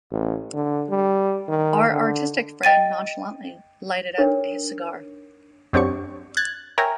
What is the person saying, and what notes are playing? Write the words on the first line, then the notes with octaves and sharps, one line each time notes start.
Our artistic friend nonchalantly lighted up his cigar.
A1
D3
G3
D#3
D3
D#5 G5 A6 D#7
D4 D#4 A#4 B4 C#5
F#2 F#3 C4 D4 G4 C#6
F#6 G#6 A6
A#4 C#5 E5 G5 G#5 A#5